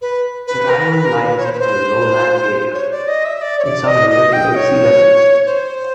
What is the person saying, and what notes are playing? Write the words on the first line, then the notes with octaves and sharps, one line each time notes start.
The raion lies on a lowland area, in some areas below the sea level.
B4
B4
A#4
B4
A#4
B4
C#5
C5
B4
C5
C#5
D5
D#5
E5
D5
C#5
D5
D#5
D#5
G5
C#5
C5